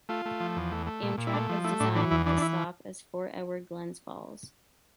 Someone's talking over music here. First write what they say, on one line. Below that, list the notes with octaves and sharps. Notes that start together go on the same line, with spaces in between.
Amtrak has designated the stop as Fort Edward-Glens Falls.
A3 F4
A3
F3
E2
A3
A3
A#2
A#2
E4
A3 D4
F3
A3 E4
A2 D4
E3 D4
E2 E4
E3 D4
D4
E4